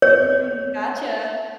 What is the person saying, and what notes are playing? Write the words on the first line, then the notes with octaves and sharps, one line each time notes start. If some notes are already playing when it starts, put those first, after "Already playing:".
Mm, gotcha.
C#5